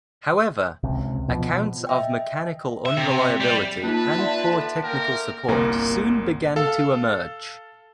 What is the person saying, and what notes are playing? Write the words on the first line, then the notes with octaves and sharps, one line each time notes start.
However, accounts of mechanical unreliability and poor technical support soon began to emerge.
C#2 C3
B2 F3
D#5 E5 G5
E5
C3
G3
A#3 D#4 F4 B4 A5
D5 E5 F#5 C6
A4 E5
A#3 A#4 G5
G1 C2 A#3 A#5
A4 F5